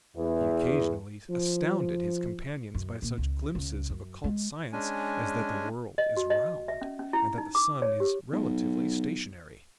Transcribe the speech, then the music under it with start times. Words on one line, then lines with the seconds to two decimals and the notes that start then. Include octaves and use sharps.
He occasionally astounded his companions by such glimpses of occult science as that the world is round and that the sun is relatively stationary.
0.17 E2
1.30 F3
2.74 F#2
3.02 A#2
3.18 C#2
3.55 C#2
3.90 F#2
4.24 G#3
4.73 G#3 C#4 D4 G#5
5.98 D#5
6.17 F#4
6.30 D#5
6.68 E5
6.82 C#4
6.99 C#4
7.13 E4
7.38 D#4
7.55 D6
7.82 C#5
8.00 G4
8.32 B1